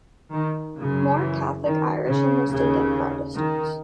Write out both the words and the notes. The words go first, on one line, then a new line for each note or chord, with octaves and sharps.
More Catholic Irish enlisted than Protestants.
D#3
F#2 C#3
E3
D#3
C#3
D#2 C#3
D#3